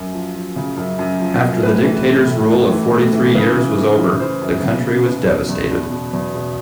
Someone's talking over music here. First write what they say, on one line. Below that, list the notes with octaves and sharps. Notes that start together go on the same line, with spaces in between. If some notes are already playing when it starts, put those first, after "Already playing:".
After the dictator's rule of fourty three years was over, the country was devastated.
Already playing: F#2
F3
F3
C#3
F#2
F#2
F3
F#2
A2 B4
E3
A2
A2
A2
E3
A2
E3
C#3 B4
E3
E3
E3
E3 C5
F#2
C#3
C#3
B2 B4
B2
E2
B2
B2
E2
B2